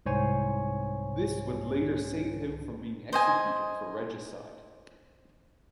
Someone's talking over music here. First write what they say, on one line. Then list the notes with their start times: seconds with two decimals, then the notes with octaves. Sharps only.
This would later save him from being executed for regicide.
0.06 C2 G#2 C5 C#5 G#5
3.13 C5 D#5 G#5